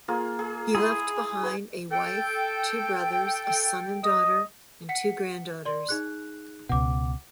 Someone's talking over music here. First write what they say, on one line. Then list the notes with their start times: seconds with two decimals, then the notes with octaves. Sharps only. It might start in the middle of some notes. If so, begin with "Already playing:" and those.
He left behind a wife, two brothers, a son and daughter, and two granddaughters.
0.08 A#3 F4 G#4
0.39 G#4
0.75 E4 G#4 B5 C6
1.43 B4 G#5
1.92 A4 G5
4.04 D#5
4.89 F#5 B6 C#7
5.65 D5 C6
5.89 D#4 G#4 F#6
6.69 C#2 B2 F#5 D6